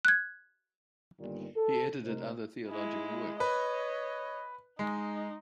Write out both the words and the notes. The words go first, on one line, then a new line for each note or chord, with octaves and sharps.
He edited other theological works.
F#6 G#6
G1 A#2 D#3 G3
A4
C3 A3 D#4 A#4 C5
G#3 E4
B4 C#5 D#5
G#3 D#4